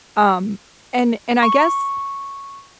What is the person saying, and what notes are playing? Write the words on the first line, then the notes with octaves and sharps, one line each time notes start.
Um, and and I guess
C#6